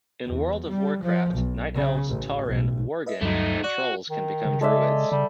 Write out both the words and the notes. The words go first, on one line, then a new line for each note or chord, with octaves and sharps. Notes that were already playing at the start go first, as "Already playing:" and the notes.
In "World of Warcraft", Night Elves, Tauren, Worgen, and Trolls can become druids.
E2
G3
F3
B1
C#3
A1
B1
B4 D#5 E5
D2 G2 F#3 A3 D#4
F#4 D5
D#3
C#3
G#3 A4 D5 E5
C#3 G3